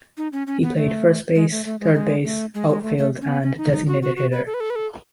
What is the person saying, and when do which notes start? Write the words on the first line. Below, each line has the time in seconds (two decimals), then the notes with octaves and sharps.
He played first base, third base, outfield and designated hitter.
0.18 D#4
0.32 C#4
0.47 C#4
0.63 B3
0.77 A3
1.35 G#3
1.51 A3
1.65 A3
1.80 G#3
1.94 G#3
2.25 A3
2.54 G#3
2.69 G#3
2.83 A3
2.98 A3
3.22 C#4
3.28 B3
3.43 C#4
3.58 D#4
3.72 D#4
3.87 F#4
4.02 F#4
4.16 F#4
4.32 B4
4.46 A4
4.54 B4
4.60 A4
4.70 B4
4.76 A4